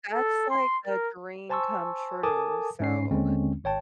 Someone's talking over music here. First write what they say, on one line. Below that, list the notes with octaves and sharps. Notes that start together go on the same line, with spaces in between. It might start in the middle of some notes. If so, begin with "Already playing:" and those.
That's, like, a dream come true, so,
A4
C6
A#4
C5 G#5 A5 C6 C#6 E6
A4 A#4 G#5 A5 D6 D#6
G#2 C#4 C7
D#2 D3 G#3 C4 C#4
G#1 C#5 G5 A5